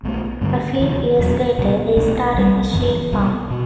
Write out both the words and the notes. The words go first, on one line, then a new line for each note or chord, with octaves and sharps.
A few years later they started a sheep farm.
B1 B2 A3
G2 D3 A3
D2 C3 E3
E1 E2 B2 F#3
C2 B2 G3
C2 B2 A3 D4
B1 B2 G3 C4
F#1 F#2 E3
C2 B2 G3
B2